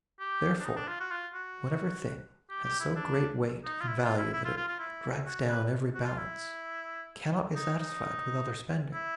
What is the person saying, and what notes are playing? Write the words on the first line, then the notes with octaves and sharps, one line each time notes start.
Therefore whatever thing has so great weight In value that it drags down every balance, Cannot be satisfied with other spending.
G4
D4
D#4
D4
F4
F#4
F4
F#4
G4
G4
E4
D4
D#4
F4
E4
F4
E4
E4
F4
F4
F4
E4
F#4
B4
F#4
F4
E4
D#4
D#4
E4